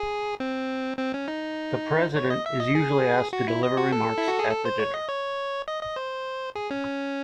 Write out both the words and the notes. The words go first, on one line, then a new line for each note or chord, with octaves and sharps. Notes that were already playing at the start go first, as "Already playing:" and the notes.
The president is usually asked to deliver remarks at the dinner.
Already playing: G#4
C4
C4
C#4
D#4
C#5
D#5
E5
D#5
G#4
F#4
E4
D#5
F#4
A4
E4
F#4
G#4
A4
C5
C#5
D#5
C#5
D#5
D#5
C5
G#4
C#4